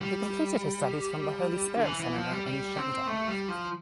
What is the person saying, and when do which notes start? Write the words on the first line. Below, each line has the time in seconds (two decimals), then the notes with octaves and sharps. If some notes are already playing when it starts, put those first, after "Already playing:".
He completed his studies from the Holy Spirit seminary in Shandong.
0.01 G3
1.77 D3
1.85 E3
2.00 E3
2.16 F3
2.31 G3
2.46 G3
2.77 C4
3.07 A3
3.28 G3
3.48 F3